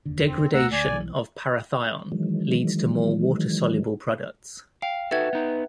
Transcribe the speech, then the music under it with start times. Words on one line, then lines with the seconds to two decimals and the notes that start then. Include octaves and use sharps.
Degradation of parathion leads to more water-soluble products.
0.05 F1 D#2 D3
0.27 C4
0.54 D1 A3 F#5 A#5 E6
0.72 D2 D5 G#5
0.87 B1 E3
2.12 D#3 E3 F#3 G#3
4.82 F5 G5
5.11 D#4 F#4 A4 B4 E5 F#5 G#6
5.33 B3 D#4